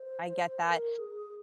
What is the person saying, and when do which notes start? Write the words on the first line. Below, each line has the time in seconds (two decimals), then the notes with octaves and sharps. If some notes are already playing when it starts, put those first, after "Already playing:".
I get that.
Already playing: C5
0.61 B4
0.68 A#4
0.99 G#4